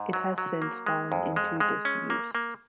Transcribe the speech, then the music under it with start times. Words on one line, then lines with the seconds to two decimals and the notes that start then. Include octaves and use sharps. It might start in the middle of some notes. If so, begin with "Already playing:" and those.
It has since fallen into disuse.
Already playing: G#2
0.13 F#3
0.38 F#3
0.62 A#3
0.86 G#3
1.12 F2
1.36 G#3
1.60 G#3
1.85 C#4
2.10 A#3
2.35 A#3